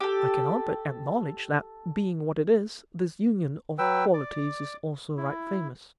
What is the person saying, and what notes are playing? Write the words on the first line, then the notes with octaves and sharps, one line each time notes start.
'I cannot but acknowledge that, being what it is, this union of qualities is also right famous.'
G4 A4
F#3 B4 G5 E6
D5 D6
E4